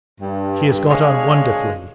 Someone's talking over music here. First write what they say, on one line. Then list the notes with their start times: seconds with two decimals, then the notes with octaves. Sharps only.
She has got on wonderfully.
0.21 G2
0.90 G#3 D4 G#4 C#5 F5